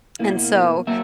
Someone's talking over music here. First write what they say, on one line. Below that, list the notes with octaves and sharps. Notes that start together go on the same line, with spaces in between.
and so
B2 A#3 E4
F#3 A#3 E5